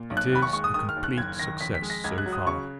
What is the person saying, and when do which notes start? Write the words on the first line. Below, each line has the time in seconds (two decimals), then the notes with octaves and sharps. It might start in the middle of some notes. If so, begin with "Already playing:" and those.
It is a complete success so far.
Already playing: A#2
0.10 B1
0.17 F#6
0.32 D#2 B5
0.42 C#6
0.53 G#3 C#6
0.64 D#6
0.74 D#3 D#6
0.89 F6
0.97 D#2
1.04 F#6
1.17 F#1 G#6
1.39 D#3 A#6
1.61 F2 B6
1.75 B6
1.82 G#3
1.90 A#6
2.04 C#2 G#6
2.18 F#6
2.26 F#3
2.33 D#6
2.47 C#3 C#6